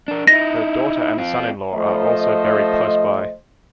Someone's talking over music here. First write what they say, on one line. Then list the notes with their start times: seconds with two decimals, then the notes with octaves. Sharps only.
Her daughter and son-in-law are also buried close by.
0.08 D4 A#4
0.27 D#4 E4 A#6
1.18 C4 F4
1.74 F3 A3 C5 D#5